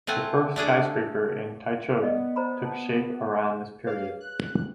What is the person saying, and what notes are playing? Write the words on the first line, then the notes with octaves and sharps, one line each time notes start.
The first skyscraper in Taichung took shape around this period.
A3 C4 F4 F#5 G#5
A3 D4 G#4 A4
B3 D5 D#5
C5 A#5 B5
A5
G#4 B4 C#5 F5
F#6